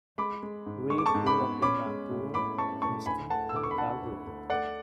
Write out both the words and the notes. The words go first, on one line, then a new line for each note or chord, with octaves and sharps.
Read grew up in Vancouver, Kingston and Calgary.
G#3 B5 D6
G#3
G#2
G#3 C#6
D6
A5 C#6
G#2
B5 D6
B3
C#4 B5 D6
G#3
A2
A2 B5 D6
C#4 A5 C#6
A2 A5 C#6
D2 G#5 B5
A3 F#5 A5
E6
D3 D6
C#6
B5
D3 F#5 A5
D2
D2
A3 D5 F#5